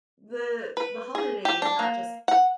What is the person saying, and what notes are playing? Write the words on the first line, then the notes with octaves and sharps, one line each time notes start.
the the holiday is not just
B4
G#4
G4
D4
A#3
F#5